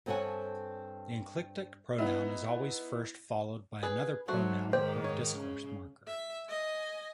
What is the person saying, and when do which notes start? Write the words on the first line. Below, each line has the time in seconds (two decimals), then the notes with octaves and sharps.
The enclitic pronoun is always first followed by another pronoun or discourse marker.
0.06 G2 C4 A4 C#5 F#5 G#5
1.98 B3 D#4 E4
3.83 G#4 B4
4.28 F#3 A3 F#4 C5
4.73 G#2 D#3 G4 C5
5.04 C#5
5.38 C#3
6.08 E5
6.49 D#5 G#5